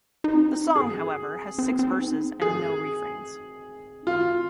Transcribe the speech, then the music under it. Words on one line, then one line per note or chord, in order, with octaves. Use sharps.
The song, however, has six verses and no refrains.
D#4
C4
G#4
C4
C4
D#4
C4
G#4
D#4
C4 F4